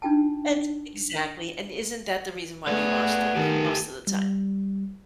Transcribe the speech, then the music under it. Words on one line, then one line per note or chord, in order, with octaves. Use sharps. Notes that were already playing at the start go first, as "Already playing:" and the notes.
And exactly, and isn't that the reason why we watch them, most of the time?
D4 D#4 F4 G5 A5
A3 B3 G#4 B4 D5 F#5
D#3 G4 A4
G3